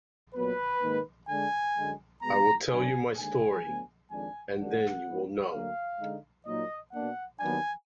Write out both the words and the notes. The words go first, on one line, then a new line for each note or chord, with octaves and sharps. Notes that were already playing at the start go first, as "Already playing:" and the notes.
I will tell you my story, and then you will know.
A#2 F#3 B3 B4
G#2 D#3 A#3
D3 G#3 D4 G#5
F#2 D3 G#3
B2 G#3 B3 A#5
F#2 D3 F#3 D4 G#5
D#2 D3 G#3 G#5
D2 D3 F#3 B3
F2 D#3 G#3 D4 G#5
F#2 D#3 G#3 D4 F#5
G#2 F3 B3 D#4
D2 D3 F#3 A#3 F5
D3 G#3 D#4
A#2 F#3 A#3 D#4 D#5
B2 A#3 D4 F#5
D#2 D#3 F#3 B3 D4 G#5